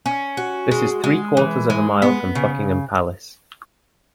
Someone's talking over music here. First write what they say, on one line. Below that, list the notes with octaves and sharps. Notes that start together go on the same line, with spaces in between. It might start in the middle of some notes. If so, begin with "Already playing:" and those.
This is three-quarters of a mile from Buckingham Palace.
C#4
F#4
G#3
G#3
E3
G#3
B3
C#3